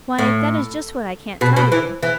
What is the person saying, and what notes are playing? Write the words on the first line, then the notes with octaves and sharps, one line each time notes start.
'Why, that is just what I can't tell you.
A2
B2
B2
E3
E3